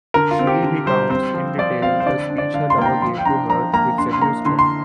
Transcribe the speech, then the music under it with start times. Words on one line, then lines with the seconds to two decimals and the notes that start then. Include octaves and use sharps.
She recounts in detail the speech her lover gave to her which seduced her.
0.14 D3 A#4
0.31 F4
0.39 C4
0.47 G4
0.63 D3
0.86 G3 C5
1.10 C4 C5
1.34 F3
1.58 F3 D5
1.82 C4 F5
2.00 C5
2.06 D3 D5
2.30 D4
2.38 D5
2.54 D3 F5
2.70 C6
2.78 A#3 G5
2.86 A#5
3.02 F3 C6
3.18 G5
3.25 D4 A#5
3.49 F3 A#5
3.73 A#3 A#5
3.98 D4 C6
4.13 C6
4.21 A#3 A#5
4.45 D3 C6
4.59 C6